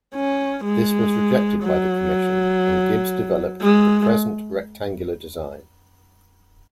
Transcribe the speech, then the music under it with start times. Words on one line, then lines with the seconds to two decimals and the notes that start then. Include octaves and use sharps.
This was rejected by the commission, and Gibbs developed the present rectangular design.
0.14 C#4
0.65 G#3
1.64 F#3
3.61 G#3